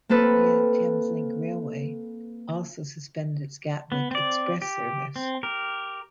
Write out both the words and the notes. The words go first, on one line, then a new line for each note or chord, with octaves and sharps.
Govia Thameslink Railway also suspended its Gatwick Express service.
A#3 C4 A4 B4
B3
C4 D5
G4
C4
G4 A#4